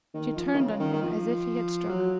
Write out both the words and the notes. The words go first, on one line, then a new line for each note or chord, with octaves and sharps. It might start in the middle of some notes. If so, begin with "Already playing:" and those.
She turned on him as if he had struck her.
D#3
F3
D#3
C#3
D#3
D#3
F3
F#3